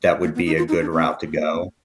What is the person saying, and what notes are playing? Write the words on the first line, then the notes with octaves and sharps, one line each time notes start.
that would be a good route to go.
A#3
B3
D#4
F4
D#4
D4
B3
A#3